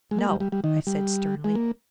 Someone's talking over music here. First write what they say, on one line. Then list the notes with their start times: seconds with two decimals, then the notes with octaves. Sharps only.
"No," I said sternly.
0.11 G#3
0.19 A#3
0.29 G3
0.40 G3
0.52 G3
0.64 D#3
0.87 G3
1.44 G#3
1.55 A#3